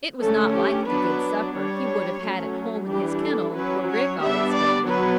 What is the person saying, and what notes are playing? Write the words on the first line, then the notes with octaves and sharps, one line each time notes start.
It was not like the good supper he would have had at home in his kennel, where Rick always fed him.
D3 A3 C#4 A4
G4
F#3 B3 D4 B4
G3 D4 C#5
F#3 A3 C#4
E3 G3 D4 G4
A4
F#3 C#4 B4
C#5
G3 B3 D4 E5
D5
F#3 B3 B4